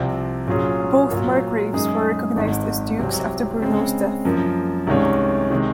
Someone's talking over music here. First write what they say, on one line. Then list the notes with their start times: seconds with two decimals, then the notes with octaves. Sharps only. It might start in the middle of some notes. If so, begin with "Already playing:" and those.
Both margraves were recognised as dukes after Bruno's death.
Already playing: C2 C3 F3 C4
0.47 A#2 F#3 C#4 F4 G#4
1.10 A#2 F#3 A#3 F4
1.73 F#2 D#3 G#3 D#4 G#4
2.36 G#1 G#2 D#3
2.99 C2 C3 F#3 C4
3.62 C#3 G#3 C4
4.25 F#2 F3 A#3
4.87 C2 C3 D#3 G#3 C#4
5.51 C3 D#3 G#3